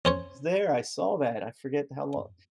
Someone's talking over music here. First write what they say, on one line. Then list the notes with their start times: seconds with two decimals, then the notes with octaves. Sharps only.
was there, I saw that, I forget how lo
0.05 C#4 C5 C#5